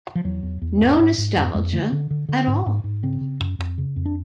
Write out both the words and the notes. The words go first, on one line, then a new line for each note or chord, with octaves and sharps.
No nostalgia at all.
F3
E2 F#3
E2
E2
G#2
G#2
G#2
F2 G3
F2 G#3
D3 A3
D3
D3
D3
G#2
G#2
G#2
C#3 C4
C#3
F#2
F2
C#3
F2
D4